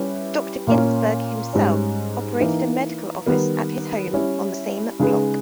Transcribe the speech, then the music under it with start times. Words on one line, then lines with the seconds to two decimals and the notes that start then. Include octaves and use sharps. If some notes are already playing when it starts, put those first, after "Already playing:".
Doctor Ginsberg himself operated a medical office at his home on the same block.
Already playing: G3 C#4 E4 G4 B4
0.67 A#2 A#3 C#4
1.53 G#2 G3 C#4
2.40 E3 A#3 D#4
3.26 D#3 G3 B3 G4 A#4
4.13 G3 C#4 E4
4.99 C#3 G#3 D#4 G#4 B4